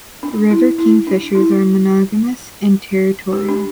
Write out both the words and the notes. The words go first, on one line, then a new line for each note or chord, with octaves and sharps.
River kingfishers are monogamous and territorial.
D4
E4
E4
D4
E4
G4
D4